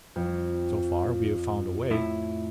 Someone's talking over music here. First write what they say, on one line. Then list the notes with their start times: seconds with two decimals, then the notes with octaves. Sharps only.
So far we have found a way.
0.16 F2
1.91 A2 E4